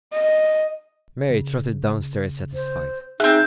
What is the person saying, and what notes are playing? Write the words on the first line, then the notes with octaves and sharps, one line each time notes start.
Mary trotted down stairs satisfied.
D#5
C#3
C5
C4 D#4 G#4 E5 F#6